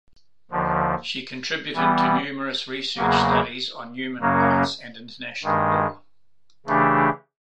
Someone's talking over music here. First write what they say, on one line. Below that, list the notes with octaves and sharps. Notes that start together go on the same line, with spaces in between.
She contributed to numerous research studies on human rights and international law.
D#2 D3 F3
E3 G3 B3
E2 C#3 F#3 A#3
F#2 C#3 F#3 A#3 C#4
G2 D#3 G#3
C#3 E3 A3 D4 G4